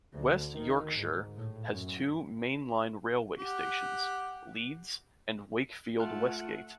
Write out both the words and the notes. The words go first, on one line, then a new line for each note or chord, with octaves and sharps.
West Yorkshire has two mainline railway stations, Leeds and Wakefield Westgate.
D2
D#3
G#2
A2
F#2
G4 F#5
A3 F4 F#5 F6 F#6